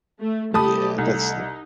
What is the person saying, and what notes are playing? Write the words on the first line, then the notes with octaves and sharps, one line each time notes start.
Yeah, that's n
A3
A3 G4 A5 B5 D#6
C2 D#4